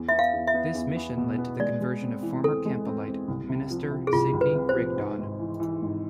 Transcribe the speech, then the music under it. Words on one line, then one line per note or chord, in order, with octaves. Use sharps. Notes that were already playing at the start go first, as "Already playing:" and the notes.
This mission led to the conversion of former Campbellite minister Sidney Rigdon.
Already playing: E2
B3 E5
F5
E2
E5
B3
E2
B3
B2
B3
G#3 D5
G#3
C4
E3
C4 A4
G#3
C4
C4
C2
C3
F3
C3
G#4
C2 F4
C2
B4
C3
C5
F3
G#2
G#1
E3
E3
G#1